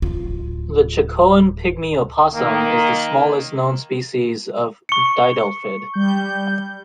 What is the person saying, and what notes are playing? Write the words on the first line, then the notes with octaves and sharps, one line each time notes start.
The Chacoan pygmy opossum is the smallest known species of didelphid.
D1 F4
D#3 A#3
C#6 C#7
G3 G6